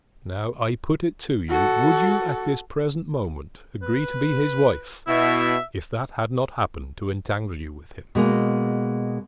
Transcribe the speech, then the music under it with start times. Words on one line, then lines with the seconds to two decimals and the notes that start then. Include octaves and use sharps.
"Now, I put it to you: would you at this present moment agree to be his wife if that had not happened to entangle you with him?"
1.50 F#4 A4
3.82 B4
5.07 B2 E4 E5
8.15 B2 G#3 A#3